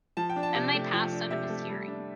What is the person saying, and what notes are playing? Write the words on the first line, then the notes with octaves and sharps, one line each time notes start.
Then they passed out of his hearing.
F3 A5
G5
D4
A5
C3
A3
F3 G5
D4
C3 E5
A3
G3
D4